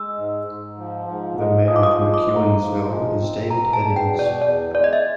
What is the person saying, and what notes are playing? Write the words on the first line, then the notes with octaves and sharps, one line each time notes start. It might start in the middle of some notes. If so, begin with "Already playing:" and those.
The mayor of McEwensville is David Heddings.
Already playing: G#3 E6
G#2
G#2
F3
G#2
G#3
F3 D#6
D6
D#6
D6
G#3
D6
G#2
A#5
F3
G#3
C4
B2 A#5
A5
E2
G5
B2
D5
E2 D5
G#3 D5
D#5
E5